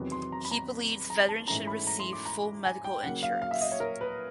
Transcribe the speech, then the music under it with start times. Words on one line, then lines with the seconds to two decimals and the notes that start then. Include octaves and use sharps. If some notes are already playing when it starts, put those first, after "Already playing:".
He believes veterans should receive full medical insurance.
Already playing: E2 C3 D#3 F#3 B3
0.12 C6
0.32 A#5
0.45 B5
0.51 A#5
1.10 A#5
1.29 A5
1.48 G#2 E3 A3 C#4 A#5
1.67 B5
1.87 A#5
1.99 C6
2.13 D6
2.26 A#5
2.65 G#5
2.84 G5
3.03 C#3 F#3 A#3 F#5
3.23 F5
3.42 F5
3.51 E5
3.61 D#5
3.72 C#5
3.80 A#4
4.01 B4